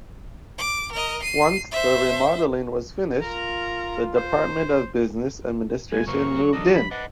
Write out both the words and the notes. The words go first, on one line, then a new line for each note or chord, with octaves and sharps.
Once the remodeling was finished, the Department of Business Administration moved in.
D6
A#4 D#5
C7 D#7
C5 E5
F4 A#4 A#5
C5
G#3 B3 G#5
F#2 C#3 E3 A#3 C5 C#6
F#3
D#3 F3 G3 D4 F#4 A4 D#5
B5
D4 B4 D#5 F#5